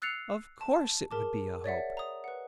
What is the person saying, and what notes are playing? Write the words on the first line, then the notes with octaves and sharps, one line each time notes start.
"Of course it would be a hope."
E6 F#6 A6 C7 C#7 F7
A5
G#4 A#4 A5 D6
C#5 D5 E5 F#5
A#5 D#6
B4 F#5